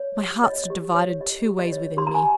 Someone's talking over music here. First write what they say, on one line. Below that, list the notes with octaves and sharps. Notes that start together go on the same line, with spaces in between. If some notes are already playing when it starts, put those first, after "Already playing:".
My heart stood divided two ways within me.
Already playing: C#5
G4
C#5 D#5
G4
C#5
G4 D#5
G4
D#5
C#5
G4 C6
A#5
G#5